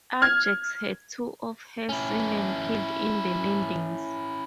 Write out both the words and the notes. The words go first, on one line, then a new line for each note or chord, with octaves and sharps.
"Ajax" had two of her seamen killed in the landings.
F6 G#6
C#4 E4